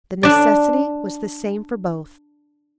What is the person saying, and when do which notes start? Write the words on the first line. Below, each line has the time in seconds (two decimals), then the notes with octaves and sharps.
The necessity was the same for both.
0.23 D4 D5